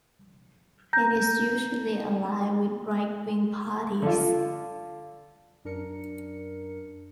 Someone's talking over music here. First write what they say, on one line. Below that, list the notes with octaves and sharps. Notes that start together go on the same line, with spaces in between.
It is usually aligned with right-wing parties.
A#5 G6 A#6
D3 F4
F#2 D4 A#4 C#7